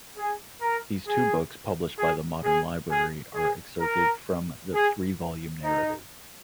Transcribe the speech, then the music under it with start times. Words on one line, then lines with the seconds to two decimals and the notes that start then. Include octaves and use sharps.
These two books published by the Modern Library are excerpted from the three-volume narrative.
0.17 G#4
0.62 A#4
1.07 G#4
1.98 G#4
2.44 G#4
2.89 G#4
3.35 G#4
3.80 A#4
4.72 G#4
5.63 D#4